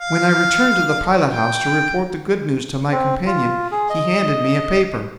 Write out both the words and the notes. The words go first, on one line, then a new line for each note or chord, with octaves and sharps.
When I returned to the pilot house to report the good news to my companion he handed me a paper.
F5
G5
C4
F4
G#4
D#5